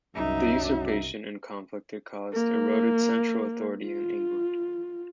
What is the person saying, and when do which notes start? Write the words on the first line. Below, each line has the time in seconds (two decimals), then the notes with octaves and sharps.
The usurpation and conflict it caused eroded central authority in England.
0.15 C2 F#2 C#3 F#3 D#4 E5
2.33 A#3
3.84 F4